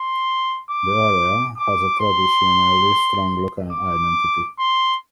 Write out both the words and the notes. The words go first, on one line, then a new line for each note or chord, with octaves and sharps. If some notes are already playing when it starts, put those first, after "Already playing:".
The area has a traditionally strong local identity.
Already playing: C6
D6
D6
C6
D6
C6